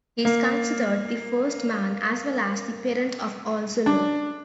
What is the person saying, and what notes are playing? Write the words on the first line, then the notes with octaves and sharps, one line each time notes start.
He is considered the first man as well as the parent of all Zulu.
A#3
D4